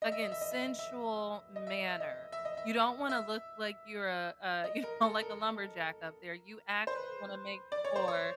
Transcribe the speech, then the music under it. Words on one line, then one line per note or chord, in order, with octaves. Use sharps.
again, sensual manner. You don't wanna look like you're a a you know, like a lumberjack up there you actually wanna make more.
D#5
E5
D#5
E5
D#5
E5
D#5
E5
D#5
E5
D#5
E5
D#5
E5
D#5
E5
E5
D#5
A#4
A4
A#4
C5
B4
D5
C#5
C5
C#5